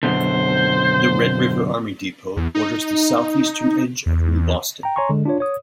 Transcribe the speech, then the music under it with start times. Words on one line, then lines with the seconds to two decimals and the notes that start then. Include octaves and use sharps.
The Red River Army Depot borders the southeastern edge of New Boston.
0.03 F#2 B2 D3 C5
2.37 E2
2.55 D#4
4.06 E2
4.83 G5 A#5
4.96 C#5 G#5 A#5 C6 C#6
5.09 D3 G#3
5.25 D4 F4 C#5
5.40 C#5 D#6